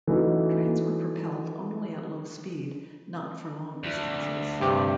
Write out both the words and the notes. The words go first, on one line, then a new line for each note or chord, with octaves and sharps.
Trains were propelled only at low speed, not for long distances.
E3 F#3 A3 C#4 D#4 F#4
D2
G2 C3 G4